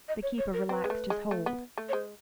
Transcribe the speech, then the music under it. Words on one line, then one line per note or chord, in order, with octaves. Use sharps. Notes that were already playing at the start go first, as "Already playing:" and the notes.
The keeper relaxed his hold.
D#5
C#5
C#5
A#4
C4 B4
G#3
A3
G#3
A3
B3
A3
C#5
G#3 C5